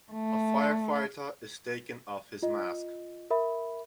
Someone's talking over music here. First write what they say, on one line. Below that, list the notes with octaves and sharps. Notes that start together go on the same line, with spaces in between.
A firefighter is taking off his mask.
A3
F4 D#5
A#4 E5 B5